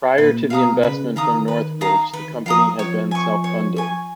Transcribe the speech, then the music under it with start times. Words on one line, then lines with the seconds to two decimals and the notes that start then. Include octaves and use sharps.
Prior to the investment from North Bridge, the company had been self funded.
0.18 A#2 B4
0.50 B2 F5 A#5 D#6
0.83 C#3 B4
1.16 D#3 F5 A#5 D#6
1.48 B4
1.81 F5 A#5 D#6
2.13 D#3 B4
2.46 F3 F5 A#5 D#6
2.78 F3 C#5
3.11 G#5 C#6
3.44 C#5
3.76 G#5 C#6